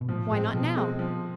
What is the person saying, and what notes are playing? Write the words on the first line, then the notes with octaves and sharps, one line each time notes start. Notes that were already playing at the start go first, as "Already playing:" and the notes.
Why not now?
B2
A2 F3
A2 G#3 C4
B2 F3
G#3 C4
F3